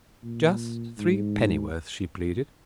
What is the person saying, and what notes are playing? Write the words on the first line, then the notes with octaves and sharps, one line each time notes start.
"Just threepennyworth," she pleaded.
A#2
G#2